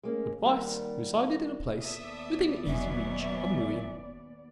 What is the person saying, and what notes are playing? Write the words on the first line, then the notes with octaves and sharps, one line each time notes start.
But Weiss resided at a place within easy reach of New Inn.
G#3 A#3 C#4
D#2 D#3 G3 A#3 F#5 A5
D#2 B3 A4 D5 E5 D#6
F1 B2 F#3 C#4 E5